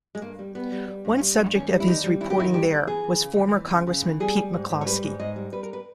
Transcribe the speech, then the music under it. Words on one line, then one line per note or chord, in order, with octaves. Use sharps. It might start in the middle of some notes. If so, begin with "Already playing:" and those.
One subject of his reporting there was former Congressman Pete McCloskey.
G#3
G2 A#3
G3
G3 B3
G3
G3
G2
G3
G2
D#2 C#4
G3
E4
D#2 D#4
G3
D#2 E4
G4
D#3 E4
G3 G4
D#3
E3 G#4
E3
C#3
D#2
E3
C#3
C#3
E3
G3 G#4
G3
G#2
G#2
C#5
G3 B4
G#2
G#2 D#5
G3
G3 B4
A#4
B4